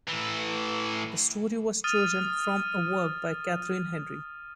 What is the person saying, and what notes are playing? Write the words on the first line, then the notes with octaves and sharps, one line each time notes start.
The story was chosen from a work by Catherine Henry.
A2 E3
D#6 F6 A6 D#7